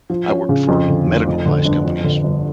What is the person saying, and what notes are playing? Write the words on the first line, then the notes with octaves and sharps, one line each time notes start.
I worked for medical device companies.
F3
C#4
C#3
F2
D3
F1
F2
D3
G1
F2
D3
G1